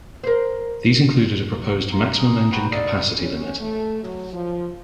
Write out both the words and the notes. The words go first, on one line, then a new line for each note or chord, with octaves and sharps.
These included a proposed maximum engine capacity limit.
A#4 C5
F4 A#5
G#4
F#4 B4 G5
E4 D5 D#5 F5
C#4
A3
F#3
F3